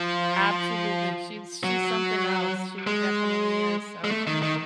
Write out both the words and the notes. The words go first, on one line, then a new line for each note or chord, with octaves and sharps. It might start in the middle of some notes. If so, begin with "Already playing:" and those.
Absolutely, she's she's something else, she definitely is, so,
Already playing: F3
F#3
G#3
G#3
A3
D#3
D#3